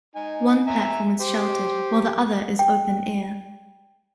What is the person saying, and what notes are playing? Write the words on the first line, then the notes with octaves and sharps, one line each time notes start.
One platform is sheltered while the other is open air.
D#4 G#5
E5 G#5 A#5
G4 C5
G5